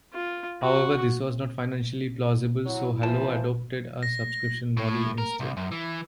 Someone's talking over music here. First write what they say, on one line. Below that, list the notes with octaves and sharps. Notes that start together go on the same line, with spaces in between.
However, this was not financially plausible, so Hello adopted a subscription model instead.
F4
F#4
F#3 E4
E3 F3 F4 C5 A5
A#6
A2
A#4
C2
F#2
E3